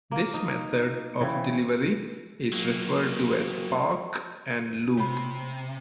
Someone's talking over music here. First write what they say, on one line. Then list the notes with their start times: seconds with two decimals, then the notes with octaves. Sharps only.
This method of delivery is referred to as "park and loop".
0.11 A#3
0.34 D#4
1.21 C#3 E3 C4 C#4
2.53 F#3 A#3
4.98 C3 C#5 B5